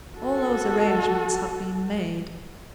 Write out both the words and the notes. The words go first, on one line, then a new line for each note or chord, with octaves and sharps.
'All those arrangements have been made.'
F#4 A4